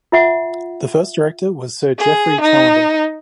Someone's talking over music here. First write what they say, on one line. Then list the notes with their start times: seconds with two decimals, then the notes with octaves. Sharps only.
The first Director was Sir Geoffrey Callender.
0.12 F4 E5 F#5
1.98 G#4
2.41 D#4